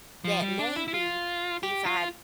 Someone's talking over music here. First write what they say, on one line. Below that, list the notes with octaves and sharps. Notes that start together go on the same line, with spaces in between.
that maybe if I
F3
G3
D4
E4
E4
F4
G4
F4